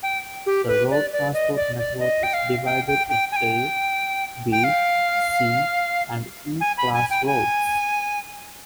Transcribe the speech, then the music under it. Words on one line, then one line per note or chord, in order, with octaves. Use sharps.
The Road transport network is divided in A, B, C and E class roads.
G5
G4
B4
D5
D5
D#5
D5
D5
D#5
G5
F5
G5
G5
G5
G#5
G5
G5
F5
G#5
B5
G#5
G5
G#5